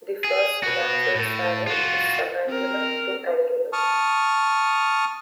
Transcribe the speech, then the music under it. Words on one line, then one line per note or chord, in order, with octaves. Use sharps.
The first lateral saddle is subangular to angular.
G#4
F#4 B4
A2
F4 F#4
C4 A#4
A5 C#6 D#6 F6